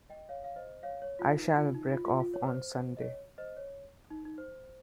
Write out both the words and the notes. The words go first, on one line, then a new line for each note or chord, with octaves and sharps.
I shall break off on Sunday.
D#5 G5
C#5 F5
F5
C5 D#5
C#5 F5
C#5
F4
D#4
F4
D#4
F4
F4
F4
C#5
C5
D#5
C#5
C5 D#5
C#5
D#4
D#4
C5